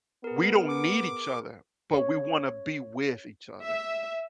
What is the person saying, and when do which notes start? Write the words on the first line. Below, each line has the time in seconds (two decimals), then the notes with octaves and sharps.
we don't need each other, but we wanna be with each other
0.24 B3 G#4 A#4
0.69 D6
1.94 C#5
3.63 E5